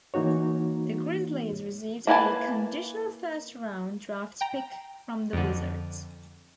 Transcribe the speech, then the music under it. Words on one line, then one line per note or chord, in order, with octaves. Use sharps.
The Grizzlies received a conditional first round draft pick from the Wizards.
E3 A#3 D#4 F#4 C#5
A#3 E4 B4 G#5 A5
G5 A#5
F2 D3